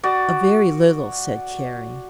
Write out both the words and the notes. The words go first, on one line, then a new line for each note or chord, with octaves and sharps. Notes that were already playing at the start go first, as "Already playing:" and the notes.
"A very little," said Carrie.
F#4 D5